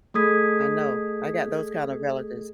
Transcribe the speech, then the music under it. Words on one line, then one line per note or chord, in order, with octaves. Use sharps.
I know. I got those kind of relatives
A3 G#4 A4 D#6 G#6 B6